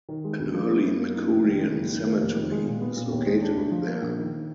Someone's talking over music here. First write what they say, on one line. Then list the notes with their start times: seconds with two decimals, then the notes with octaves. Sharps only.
An Early Makurian cemetery is located there.
0.09 D#3
0.24 G#3
0.39 D2
0.54 F3
0.69 B3
0.84 F#2
0.99 A#3
1.14 D#4
1.30 F1
1.44 D#3
1.60 G#3
1.74 F#1
1.90 D#3
2.06 A#3
2.20 F1
2.36 D#3
2.51 G#3
2.66 A#2
2.81 B3
2.96 A#2
3.11 D#2
3.26 G#3
3.42 D4
3.56 D2
3.71 F3
3.87 A#3
4.02 A#1
4.17 D#3